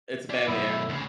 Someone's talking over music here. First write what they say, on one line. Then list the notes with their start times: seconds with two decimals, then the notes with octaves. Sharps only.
It's a family heirloom.
0.30 E4 D5
0.47 F#2 B2 E4
0.89 D2 C#3